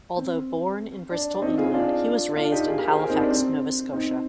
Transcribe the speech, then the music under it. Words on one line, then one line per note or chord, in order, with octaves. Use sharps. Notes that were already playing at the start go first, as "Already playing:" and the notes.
Although born in Bristol, England, he was raised in Halifax, Nova Scotia.
C4
D4
D4
C4 D#4
F4 G#4
D4 F4
D4 F4
D#4 G4
F4 G#4
G4 A#4
G#4 C5
G4 A#4
C4 D#4
D4
C4
C4 D#4